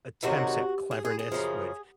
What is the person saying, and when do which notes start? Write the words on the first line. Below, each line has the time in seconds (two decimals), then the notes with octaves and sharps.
attempts at cleverness would
0.23 E2 C3 D#3 F#3 F#4
0.91 G#4
1.05 G#4
1.19 G#4
1.32 F#2 C#3 F3